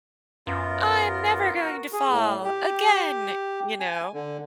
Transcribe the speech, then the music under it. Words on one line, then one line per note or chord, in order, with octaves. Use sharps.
"I'm never going to fall again." You know?
F#2 B3 F4 A#4
F#4 A#4
G#4
A2
G4
G#5
D3